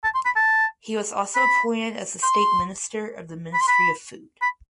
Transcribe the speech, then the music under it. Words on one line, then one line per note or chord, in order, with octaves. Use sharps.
He was also appointed as the state minister of the Ministry of Food.
A5
C6
B5
A5
B5
C6
B5
C6
B5
B5